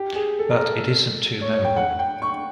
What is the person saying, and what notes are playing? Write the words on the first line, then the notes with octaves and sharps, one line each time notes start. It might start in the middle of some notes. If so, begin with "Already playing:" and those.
But it isn't too memorable.
Already playing: G4
G#4
A4
A#4
A4
C#5
C#5
G5
F#5
G5
C#6